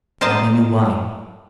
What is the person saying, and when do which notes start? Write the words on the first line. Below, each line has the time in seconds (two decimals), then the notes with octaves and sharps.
Now they knew why.
0.21 A#4 C5 D5 D#5 A5